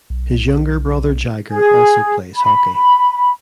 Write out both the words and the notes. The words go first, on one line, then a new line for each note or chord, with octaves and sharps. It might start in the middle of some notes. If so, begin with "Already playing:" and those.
His younger brother Jagger also plays hockey.
B1
G#4
B5